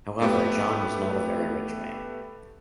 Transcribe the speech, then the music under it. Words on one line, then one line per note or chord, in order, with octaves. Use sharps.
However John was not a very rich man.
A3 B3 G4